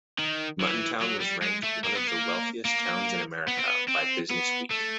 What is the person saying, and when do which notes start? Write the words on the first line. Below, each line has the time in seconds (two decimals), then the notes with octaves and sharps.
Muttontown was ranked one of the wealthiest towns in America by "BusinessWeek".
0.19 D#3
0.60 E3
1.02 F#3
1.21 G3
1.42 G#3
1.63 A3
1.84 A#3
1.95 B3
2.07 A#3
2.65 A#3
3.48 B3
3.58 C4
3.67 B3
3.88 C4
4.30 B3
4.71 A3